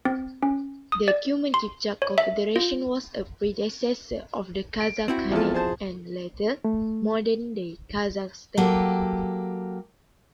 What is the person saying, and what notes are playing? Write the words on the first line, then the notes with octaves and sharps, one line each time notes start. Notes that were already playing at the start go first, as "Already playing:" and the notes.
The Cuman-Kipchak confederation was a predecessor of the Kazakh Khanate and, later, modern-day Kazakhstan.
C4
C#4
D#6
D5
C6
C#5
E5
F4
D7
C4 E4 F#4
E2 F3 F4 A4
G#4 C5 A5
A3
F#3 A#3 G4 A4